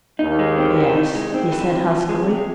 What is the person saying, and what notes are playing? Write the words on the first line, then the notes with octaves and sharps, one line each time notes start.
"Yes," he said huskily.
D#2 D#3 D#4
G#3
C4
E3
D#4
G#3
C4
E3
C3
F3
G#3
C3